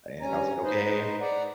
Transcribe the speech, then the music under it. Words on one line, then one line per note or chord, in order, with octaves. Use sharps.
and, I was, like, "Okay."
G2 C#4 G#5 A#5
D#4 B4 C5 D#5
D5 F#5 A#5